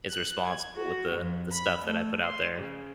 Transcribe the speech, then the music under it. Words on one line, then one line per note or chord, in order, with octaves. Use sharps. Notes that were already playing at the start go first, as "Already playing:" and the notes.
is responsible with the the stuff that I put out there.
F#6
G#6
F#4
F2
B5
A3
C6
C#3